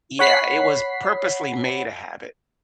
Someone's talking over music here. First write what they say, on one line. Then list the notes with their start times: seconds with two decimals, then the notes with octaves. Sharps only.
Yeah, it was purposely made a habit.
0.19 C#5 F#5 B5 B6 C7